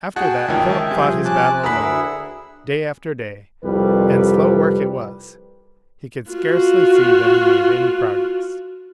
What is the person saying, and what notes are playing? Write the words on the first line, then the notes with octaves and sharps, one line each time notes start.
After that, Philip fought his battle alone, day after day, and slow work it was; he could scarcely see that he made any progress.
F#4 G#4 G5 A5
C#2 D#3 E5
C2 C3 F3 G#4 G6
C#4 G#5 A5 D6 F#6
D2 E4 G#4 A#4 F#5 B5 E6
C2 F2 G3 B4
F4 F#4